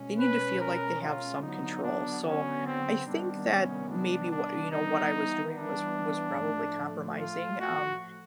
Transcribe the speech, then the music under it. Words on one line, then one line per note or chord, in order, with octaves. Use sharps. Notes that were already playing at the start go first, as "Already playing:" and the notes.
they need to feel like they have some control, so I think that maybe what, you know, what I was doing was was probably compromising, um,
Already playing: B2 G#3 C#4
B4
A#4
F4
D3 F#3 B3 D#4
D4
C#4
C4
C3 D#3 G3 B3 D4
C#4
D4
D4
E3 G3 B3 D#4
D4
A2 F3 A3
F4
F#4